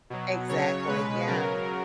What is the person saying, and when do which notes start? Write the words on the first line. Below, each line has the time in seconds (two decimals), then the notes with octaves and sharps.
Exactly, yeah.
0.10 B2 F#3
0.49 C#3 F#3 C#5
0.88 B2 G#3 B4
1.27 C#3 F#3 A#4